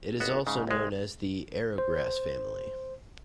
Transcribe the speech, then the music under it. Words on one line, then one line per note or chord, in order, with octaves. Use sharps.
It is also known as the "arrowgrass" family.
G#1 C#2 B3 F#4
G#2 C#3
C2 G#3
C5